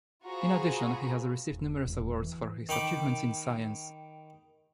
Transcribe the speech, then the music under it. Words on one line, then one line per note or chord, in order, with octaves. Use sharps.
In addition, he has received numerous awards for his achievements in science.
F4 F#4 G#4 C5 A#5 B5
E1
E1
E3
D#3 G5 B5 D6